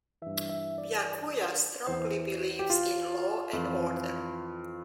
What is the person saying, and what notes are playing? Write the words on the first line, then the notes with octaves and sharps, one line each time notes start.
Byakuya strongly believes in law and order.
G2 E3 E5
E5
D5
D5
E2 E3 C5
G4
F4
F2 E3